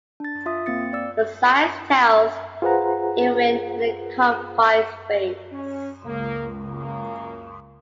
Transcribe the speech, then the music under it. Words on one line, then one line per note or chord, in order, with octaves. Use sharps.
But science tells, even in a confined space.
D4 A6
F4 E5 D#6
A#3 C4 A6 C#7
D5 E6
F4 G#4 B4 C5 F#5 A#5
C#4
C#2 A#3
F#2 C#3 A#3